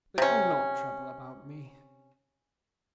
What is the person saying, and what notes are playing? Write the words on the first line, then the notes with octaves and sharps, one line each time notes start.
But do not trouble about me.
C3 C#4